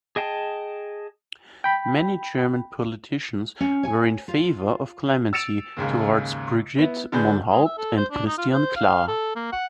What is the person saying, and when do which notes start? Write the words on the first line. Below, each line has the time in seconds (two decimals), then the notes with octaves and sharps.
Many German politicians were in favour of clemency towards Brigitte Mohnhaupt and Christian Klar.
0.16 G#4 D#5 G5 A5
1.64 G5 B5
3.61 C#4
3.83 C#5 G#5
4.28 F4
5.33 E6 A6 C#7 D7 E7 F7
5.77 D#2 G#2 C#3
6.78 B3 E4
7.12 D3 D4 G#4 B4 G6
7.50 G#3
7.65 E5
7.78 A4
7.97 C5
8.11 D4
8.26 D#4
8.38 F4
8.53 C5
8.76 F5
9.08 A4
9.36 A#3
9.52 F#5